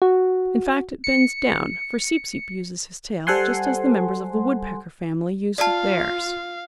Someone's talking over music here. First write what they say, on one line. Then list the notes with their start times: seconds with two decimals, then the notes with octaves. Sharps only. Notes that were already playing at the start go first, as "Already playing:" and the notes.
In fact, it bends down, for Seep-Seep uses his tail just as the members of the Woodpecker family use theirs.
0.02 F#4
1.04 C#7
3.27 G3 A4 C5 F#5 G#5 C6
5.58 F4 D5 F5 A5